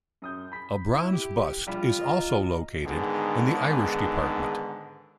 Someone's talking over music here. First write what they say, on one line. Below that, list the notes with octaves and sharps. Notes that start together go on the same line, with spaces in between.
A bronze bust is also located in the Irish department.
F#2 D#6 G6
B5 B6
E4
G4
A#1 G3 F4 B5
D#5 A#5
G#2 D3 D#3 B3 G#4